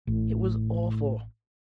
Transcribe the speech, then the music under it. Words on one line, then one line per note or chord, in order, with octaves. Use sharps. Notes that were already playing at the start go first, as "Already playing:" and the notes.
It was awful.
A1 A2